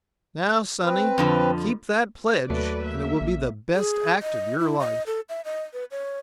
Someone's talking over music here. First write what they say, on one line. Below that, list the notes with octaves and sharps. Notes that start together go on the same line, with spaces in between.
"Now, Sonny, keep that pledge and it will be the best act of your life."
C4 B4
F2 D3 F3
D#2 F#3 A3 A4 B4 D5
A#3 E5
A#1
G#4
D#5
E4
D#5
A4
E5
D#5
B4
C#5